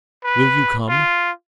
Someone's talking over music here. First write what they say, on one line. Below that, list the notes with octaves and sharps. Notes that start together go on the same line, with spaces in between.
Will you come?
B4
F4